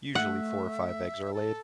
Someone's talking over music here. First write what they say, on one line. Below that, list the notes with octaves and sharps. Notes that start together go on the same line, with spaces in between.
Usually, four or five eggs are laid.
A3 E5 F#5
A4